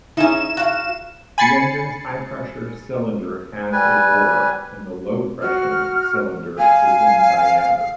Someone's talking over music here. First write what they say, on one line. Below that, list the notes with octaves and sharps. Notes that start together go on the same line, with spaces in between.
The engine's high-pressure cylinder has a bore, and the low-pressure cylinder is in diameter.
C#4 D#4 E4 G#4 E5 G#5 E7
F#4 F5
G#5 B5 A6 C7 C#7
G3 B4 G#5
F#4 F6
F5 G#5